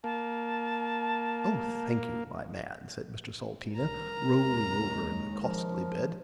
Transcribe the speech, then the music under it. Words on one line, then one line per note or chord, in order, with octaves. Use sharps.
Oh thank you my man said Mr Salteena rolling over in the costly bed.
A#3 A5
C2 A#4 A#5
D#2 G#3 C#4
F3 A#4